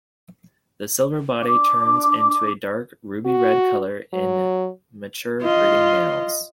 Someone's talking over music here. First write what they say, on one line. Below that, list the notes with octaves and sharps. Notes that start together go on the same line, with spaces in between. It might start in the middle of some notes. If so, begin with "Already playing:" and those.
The silver body turns into a dark ruby red color in mature, breeding males.
D4 D6
F#4
F#3
F4 D#5